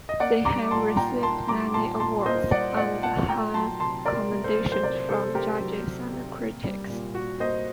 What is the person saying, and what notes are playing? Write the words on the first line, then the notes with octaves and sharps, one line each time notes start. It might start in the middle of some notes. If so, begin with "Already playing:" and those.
They have received many awards, and high commendations from judges and critics.
D#5
A#3 D5 F#5
G3 A#5 D6
A#2 A5 C6
A#2 G5 A#5
A#3 A5 C6
G3 A#5 D6
A#2 A5 C6
A#2 A5 C6
A#3 C5 D#5
G3 D5 F#5
A#2 D5 F#5
A#2 F#5 A5
A3 G5 A#5
F#3 A5 C6
C3 A5 C6
C3 A#4 D5
A3
A4 C5
F#3
C5
C3 A#4 D5
C3 A4 C5
A3 G4 A#4
F#3
C3
C3
A#3
G3
A#2
A#2 F#4
A#3 C5 D#5